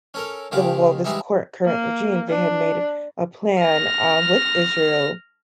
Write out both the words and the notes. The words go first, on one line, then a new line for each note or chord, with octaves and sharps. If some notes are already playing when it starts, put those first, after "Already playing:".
the well, this cor current regime, they had made a plan, um, with Israel,
C#4 A4 A#4
C#2 D#3 G#3 G4 F5
G#2 E3 G3 G#3 E5
A#3
D4
F6 A#6